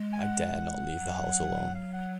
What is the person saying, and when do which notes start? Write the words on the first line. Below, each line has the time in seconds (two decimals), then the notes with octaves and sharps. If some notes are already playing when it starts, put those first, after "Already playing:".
I dare not leave the house alone.
Already playing: G#3
0.13 G#5
0.22 F#5
0.99 F#3
1.75 F5
1.93 F#5